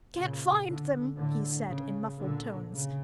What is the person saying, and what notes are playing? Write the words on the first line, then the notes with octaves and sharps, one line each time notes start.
"I can't find them!" he said in muffled tones.
A#2 C#3
D3
A2 D3
C#3
A#2 D3
C#3